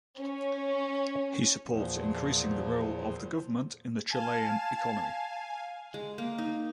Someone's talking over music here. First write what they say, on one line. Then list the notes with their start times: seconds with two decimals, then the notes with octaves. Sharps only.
He supports increasing the role of the government in the Chilean economy.
0.18 C#4
1.66 E2 A#2 F3
4.11 F5 G#5 A5
5.94 G#3
6.18 A#3
6.38 D#4